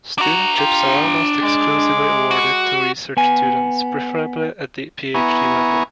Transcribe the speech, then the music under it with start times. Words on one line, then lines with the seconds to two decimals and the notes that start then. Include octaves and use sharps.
Studentships are almost exclusively awarded to research students, preferably at the Ph.D. level.
0.18 D4 F#4 A#5
0.56 F4 G4
1.41 G#3 D6
2.31 F#4
3.17 B3 G#5
5.15 B3 E4 G#5 A#5 C#6